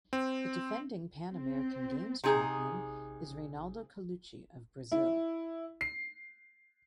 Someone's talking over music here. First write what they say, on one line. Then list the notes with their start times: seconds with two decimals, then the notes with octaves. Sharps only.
The defending Pan American Games champion is Reinaldo Colucci of Brazil.
0.13 C4
1.31 C4
2.24 C3 D#4 G#4
4.92 E4
5.81 C7